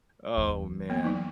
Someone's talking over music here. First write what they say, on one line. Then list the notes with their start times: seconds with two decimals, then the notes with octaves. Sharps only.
Oh man.
0.37 E2
0.90 A#3 B3
1.04 F#3 D#4